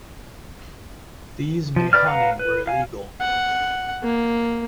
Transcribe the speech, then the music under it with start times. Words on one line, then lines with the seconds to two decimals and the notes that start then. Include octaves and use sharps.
These meyhane were illegal.
1.76 F3
1.93 B4 D5 F6
2.06 B4 F5 F#5 A#5
2.39 B4
2.67 F5 G#5
3.21 F#5
4.03 A#3